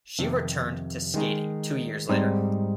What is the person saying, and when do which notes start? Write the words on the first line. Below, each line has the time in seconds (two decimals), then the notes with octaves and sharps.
She returned to skating two years later.
0.19 F2 C3 D#3
1.14 D#3 G#3 D#4
2.09 G#2 G3 C4 D#4